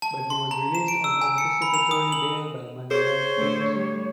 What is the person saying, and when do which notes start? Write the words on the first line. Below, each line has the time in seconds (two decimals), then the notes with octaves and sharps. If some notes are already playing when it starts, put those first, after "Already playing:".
But he was released on anticipatory bail by Madurai Court.
0.02 A5
0.30 C6
0.51 A#5
0.75 E7
0.88 D7
1.04 E6
1.22 G#5
1.38 C#7
1.62 B5
1.74 F7
1.91 D#6
2.12 F#7
2.91 G#4 C5 C#5
3.38 A2 D3 A3
3.73 G3